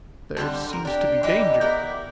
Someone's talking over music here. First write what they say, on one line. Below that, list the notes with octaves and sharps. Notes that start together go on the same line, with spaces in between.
"There seems to be danger."
D3 G3 C4 A5
A#4
D4 G4
E3 G3 D#4 G4
B3 E4 G4 A#4